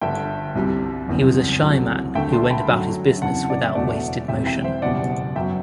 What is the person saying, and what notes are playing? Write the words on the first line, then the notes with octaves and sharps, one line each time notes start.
He was a shy man who went about his business without wasted motion.
G1 G2 D3 E5 G5
C2 C3 G3
F#1 E2 C3
C2 C3 F#3 A3
D2 D3 A3 E5 G5
A5 C6
G5 B5
F#2 D3 F#3 A3
F#1 E2 C3 F#5 A5
D5
E5
E1 E2 B2 F#3 A3 D5 F#5
E1 E2 C3 E5 G5
E5 G5
C5 E5
F#1 E2 B2 G3 D5 F#5
F#2 F#3 B3 E5 G5